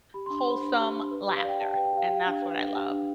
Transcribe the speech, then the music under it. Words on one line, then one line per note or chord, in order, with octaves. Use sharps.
wholesome laughter, and that's what I love.
G4 B5
C6
D4
C6
C5 B5
D4
G4
D4
B4
G4
F5
D5 G5
G4 A5
G5
B4
G5
G4 F5
G5
G4 F5
D4
B4
D4
G4
D4